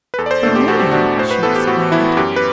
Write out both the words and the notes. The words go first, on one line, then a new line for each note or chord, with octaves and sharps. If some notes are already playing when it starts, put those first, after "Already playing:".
"For me!" she exclaimed.
B4
E2 A4
D5
C5
B2 A3 D4 A4
G4
E2 F#4
G4
B2 A3 D4 F#4
A2 C5
B4
E3 B3 A4
G4
A2 F#4
E3 B3 E4
F#2 G4
B4